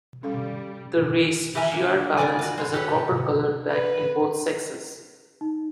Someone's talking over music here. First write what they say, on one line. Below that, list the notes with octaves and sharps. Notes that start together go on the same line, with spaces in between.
The race "G. r. pallens" has a copper-coloured back in both sexes.
G3 C#4 A4 F5
E3 G4 A#4 E5 G#5 A#5
F#2 D3 A#3
C#3 E3 A#4 D5 G#5
F4 F#4
B2 G#3
F#4 G4 A4 B4 C#5
B4
D#4